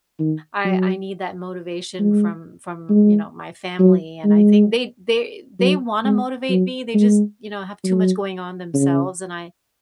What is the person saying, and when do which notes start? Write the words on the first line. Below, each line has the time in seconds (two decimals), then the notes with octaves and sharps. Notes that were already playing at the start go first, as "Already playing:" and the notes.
I I need that motivation from from, you know, my family, and I think they they they wanna motivate me; they just, you know, have too much going on themselves, and I
0.20 D#3
0.65 F#3
2.00 G#3
2.90 G#3
3.79 F#3
4.24 G#3
5.60 F#3
6.05 G#3
6.49 F#3
6.94 G#3
7.84 F#3
8.74 C#3